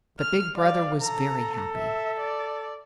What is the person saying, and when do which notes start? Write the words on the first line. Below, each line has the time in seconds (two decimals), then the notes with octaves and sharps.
But Big Brother was very happy.
0.19 F6
0.56 D5 F5
1.01 A4 A#5
1.75 E5
2.20 D5